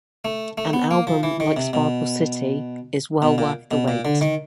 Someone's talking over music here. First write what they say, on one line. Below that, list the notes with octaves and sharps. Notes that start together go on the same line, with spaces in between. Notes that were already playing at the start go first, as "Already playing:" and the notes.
An album like "Sparkle City" is well worth the wait.
A3
A3
B3
A#3
F3
E3
D#3
C3
B2
B2
A#2
B2
A#2
D3
D#3